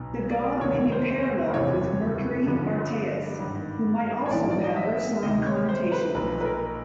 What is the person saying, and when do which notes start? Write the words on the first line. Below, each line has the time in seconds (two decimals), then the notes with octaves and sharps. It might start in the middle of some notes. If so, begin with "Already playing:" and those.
The god may be parallel with Mercury Artaius, who might also have ursine connotations.
Already playing: B1 B2
0.31 D5
0.61 F1 D#2 D#3 C#5
0.92 C5
1.23 C5
1.53 F#1 E2 C3 E3 C#5
2.46 G1 G2 D3 F3
3.38 G#1 G2 D#3
4.26 C#5
4.31 A#1 G#2 E3 D5
4.51 D5
4.64 D#5
4.76 E5
5.22 D2 C3 D#3 D#5
5.46 C#5
5.69 C5
5.92 B4
6.14 B1 A#2 F3 B4
6.41 B4
6.45 A#4